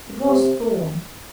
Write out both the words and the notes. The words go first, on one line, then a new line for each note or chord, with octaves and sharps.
"It was Thorn."
C3